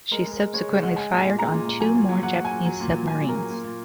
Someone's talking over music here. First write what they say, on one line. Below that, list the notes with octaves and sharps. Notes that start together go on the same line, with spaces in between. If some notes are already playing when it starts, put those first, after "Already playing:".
She subsequently fired on two more Japanese submarines.
G#3 A#4
G#3
A#4
G#3
G#3 C#5
C#3
G#3 F#5
G#3 G#5
A#2
G#5
A#2
G#3 A#5
A#2
A#2
F#3 G#5
A#2
F#3
F#3 F#5
F#3
G#5
A#2
F#3
A#2
A#2
A#2 G#5
F#3
A#4
A#2
A#2
A#2